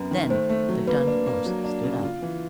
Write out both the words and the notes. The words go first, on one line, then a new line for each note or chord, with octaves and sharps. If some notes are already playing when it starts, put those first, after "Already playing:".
Then the dun horse stood up.
Already playing: F#2 B3
D#3
A3 C5
A3
F#3
A#3 B4
D4
A#3
F#3
D4
C#3
F4
E3